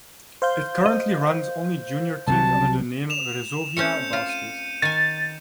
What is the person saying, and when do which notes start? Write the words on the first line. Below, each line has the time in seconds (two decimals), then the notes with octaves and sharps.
It currently runs only junior teams under the name Resovia Basket.
0.42 C5 F5 G6
0.86 D#5
2.28 C2 C3 F#3 A5
3.10 E7 F7
3.77 A3 C4 C#4 G6 C#7
4.13 F4
4.29 D#7
4.82 D#3 G#5 A6